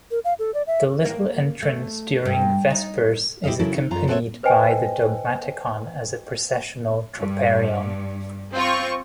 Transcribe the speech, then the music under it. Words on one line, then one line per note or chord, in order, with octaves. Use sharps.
The Little Entrance during Vespers is accompanied by the Dogmaticon as a processional troparion.
A#4
F5
A4
D5
E5
A#3
A3
G2
D#4
E4 G4 A#4 D#5 F5
C#3 F#3 E4 A4 A#4
D#4
F#2 F4 A#5
C4 F#4 A4 C#5 E5
B4 C5 D#5 G5 G#5
G2
C4 F4 C#6